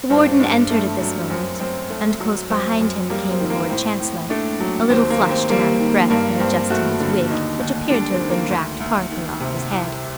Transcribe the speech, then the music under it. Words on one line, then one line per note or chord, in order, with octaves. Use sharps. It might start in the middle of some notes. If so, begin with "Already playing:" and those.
The Warden entered at this moment: and close behind him came the Lord Chancellor, a little flushed and out of breath, and adjusting his wig, which appeared to have been dragged partly off his head.
G2 C4
D4
C4
G2 D4
A3
F#3
F#2 C4
F#2 C4
A3
F#3
F#2 C4
F#2
G3 A#3
C4
D#3
A#3
A2 C4
A2
A3 D4
F#3
D#2 C4
A#3
D#2
C4
G3 A#3
D#3
G2 A#3
G2 C4
A3 F#4
D3
D#2 D#4
D#2
G3 D4
C4
D#3
A#3
D2
D2
D#3
C3
C2